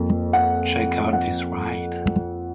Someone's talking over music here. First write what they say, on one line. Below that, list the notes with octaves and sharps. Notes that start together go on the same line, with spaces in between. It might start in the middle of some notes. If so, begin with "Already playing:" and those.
Check Out This Ride!
Already playing: F2 F3 A#3
F#5
F#5